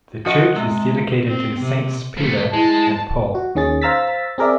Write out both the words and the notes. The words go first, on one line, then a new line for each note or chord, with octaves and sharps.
The church is dedicated to Saints Peter and Paul.
F3 F#4 D#5
C3 G#3
C4
C3
F3 A3
G#3 E4 A5
F#4
D#2 D#3 C#4 G#4 A6
C5 F5 A#5 E6 A6 B6
C4 G#4 A#4 D5 E5